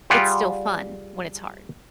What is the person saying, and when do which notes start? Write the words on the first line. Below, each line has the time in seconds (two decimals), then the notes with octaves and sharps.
it's still fun when it's hard.
0.10 G3 F4 G4 G#4 F#5